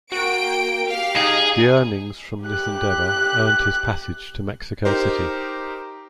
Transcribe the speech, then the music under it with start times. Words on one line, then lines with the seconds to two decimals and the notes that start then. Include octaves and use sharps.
The earnings from this endeavor earned his passage to Mexico City.
0.12 A#3 F#4 G5 D7
0.87 G4 F5
1.16 D#4 G#4
2.45 G4 F#6
4.85 D#4 G4 A#4 C5